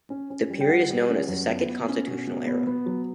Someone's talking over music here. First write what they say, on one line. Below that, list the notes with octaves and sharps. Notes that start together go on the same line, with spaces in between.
This period is known as the Second Constitutional Era.
C#4
C#4
G3
G5
G3 F#5
G3
C#4
F#2
B3
B3
C#4
B2
B2
B3
B3
F#3